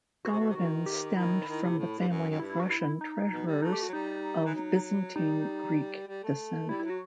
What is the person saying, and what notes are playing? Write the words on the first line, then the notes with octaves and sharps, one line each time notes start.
Golovin stemmed from the family of Russian treasurers of Byzantine Greek descent.
B2 F#4
C3
B2
C3
D#3
G4
D#3 E4
D#3
C3
A2
G2
F#2
F#2
G2 E4
E4
F#4
E4
D#4
B2
G3
A3 D#4
G4
F#4
F#3
G3 D#4
E3
F#3
G3 D#4
G3
A3
G3 E4
E4
F#3
F#4